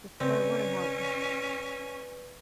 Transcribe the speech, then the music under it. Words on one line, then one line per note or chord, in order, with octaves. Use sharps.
That's why I wonder how ooh,
C#3 C4 C#4 B4 D5 G6